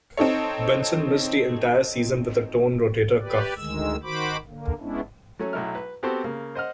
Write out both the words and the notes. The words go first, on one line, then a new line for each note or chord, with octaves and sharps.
Benson missed the entire season with a torn rotator cuff.
C4 D#4 A4 C#5
G4 B4 D5
D2 D#3 G#3 E6
D#3 F#4 C5 B5 D6
D3 A#3
G#3 B3 C#4 D4 E4
F#3 A3 C#4
B1 F#3 A3 E4 F6
B4
B3 C4 F#4 G4 A4 C5
C#3 A#3
C5 D#5 F#5 F6